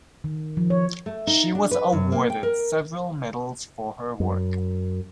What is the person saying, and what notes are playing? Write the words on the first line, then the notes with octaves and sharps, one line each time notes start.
She was awarded several medals for her work.
D#3
F3
C#5
A3
D#4
D4
B4
F#2
A#3
G5
A#4
F#2